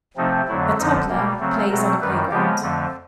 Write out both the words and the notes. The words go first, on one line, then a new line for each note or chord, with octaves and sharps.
A toddler plays on a playground.
C3 F3 A3 C4 D#4
F2 D3 F#3 A3 E4
F2 D3 F3 D#4
B2 G3 A#3
C#3 F#3 A3 C4
B2 F#3 A3 C4 A#4
F#2 D#3 G3 B4
C#3 F3 G#3 B3 G4
F2 D3 F3 A3